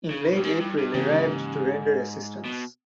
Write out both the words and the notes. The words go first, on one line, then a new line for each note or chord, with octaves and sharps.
In late April arrived to render assistance.
C#3
B2
G2
G#2
G2
G2
G#2 C#3 E3 A#3 C#4 G4
B2